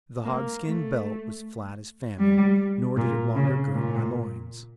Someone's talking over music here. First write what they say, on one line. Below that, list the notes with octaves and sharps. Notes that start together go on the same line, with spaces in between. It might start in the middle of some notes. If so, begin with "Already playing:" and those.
The hogskin belt was flat as famine, nor did it longer gird my loins.
A#3
A3
G3
A#2
C#3
A#2